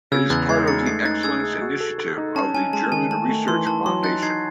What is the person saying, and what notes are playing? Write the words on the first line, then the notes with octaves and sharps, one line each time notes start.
It is part of the Excellence Initiative of the German Research Foundation.
C#3 E6 G#6
E2 F#6 A6
G#3 G#6 C7
D#4 A6 C#7
A3 G#6 C7
D#4 F#6 A6
G#4 E6 G#6
G#4
F#4
A4
A4
D#4
C#4 A5
C#4 G#5
G#3 A5
D#3 G#5
A3 A5
A3
E3 C6
E3 A5
F#3 C6
D#4 F#6 A6
D#4 G#6 C7